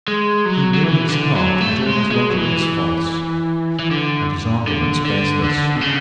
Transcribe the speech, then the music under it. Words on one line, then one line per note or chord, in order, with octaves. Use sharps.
He knew in his heart that all his logic was false, and his arguments baseless.
G#3
F#3
F#3
E3
D3
F#3
A3
G#3
G#3
F#3
E3
E3
D3
D3
D3
D3
B2
C#3